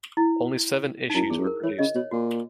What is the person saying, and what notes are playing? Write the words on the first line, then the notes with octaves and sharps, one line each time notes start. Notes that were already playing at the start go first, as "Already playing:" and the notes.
Only seven issues were produced.
E4
D#4
F#2 E4
E2 G#4
F#2
A#4
E3 C#5
C#3 D#5
B2 C#5
A#2 F#4